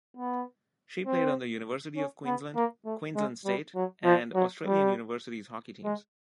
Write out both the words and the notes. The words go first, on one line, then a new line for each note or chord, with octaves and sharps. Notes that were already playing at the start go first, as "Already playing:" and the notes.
She played on the University of Queensland, Queensland state and Australian universities hockey teams.
B3
C4
C#4
B3
A#3
A3
G#3
G3
F#3
F3
F#3
G3
G#3